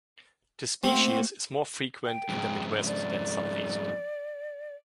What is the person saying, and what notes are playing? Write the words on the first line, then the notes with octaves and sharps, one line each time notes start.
The species is more frequent in the midwest than southeast.
A3 A#3 C4 F#4
G5
F2 G#2
D5